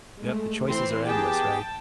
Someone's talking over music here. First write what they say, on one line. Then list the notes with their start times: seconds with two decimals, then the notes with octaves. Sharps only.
Yep. The choices are endless, right?
0.20 G#3 A3
0.66 E3 C4 C6
1.06 B3 G4 G#4 G5 A5